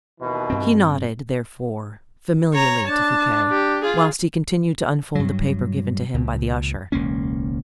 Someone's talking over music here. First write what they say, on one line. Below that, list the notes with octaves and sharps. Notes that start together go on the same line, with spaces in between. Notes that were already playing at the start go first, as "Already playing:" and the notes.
He nodded, therefore, familiarly to Fouquet, whilst he continued to unfold the paper given to him by the usher.
D#2 B2 E3
G2 C4
C#5 A#5
D4 A5
G4
F4 G#4
G2 F#3
C#2 A#2
E1 C#2 A#3 C#4